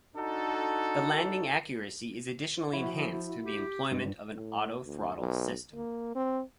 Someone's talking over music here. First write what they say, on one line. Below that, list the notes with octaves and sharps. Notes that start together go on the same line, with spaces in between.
The landing accuracy is additionally enhanced through the employment of an autothrottle system.
D4 D#4 F#4 A4
F3 E4 F#4
G4
G2 G#3
A2
D2
B1
A#3
C4